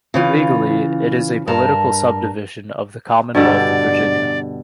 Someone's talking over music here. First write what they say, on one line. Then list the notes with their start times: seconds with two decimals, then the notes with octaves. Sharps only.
Legally, it is a political subdivision of the Commonwealth of Virginia.
0.14 C#3 E3 F4
1.47 G2 A#4 A5
3.35 G2 B2 D3 D5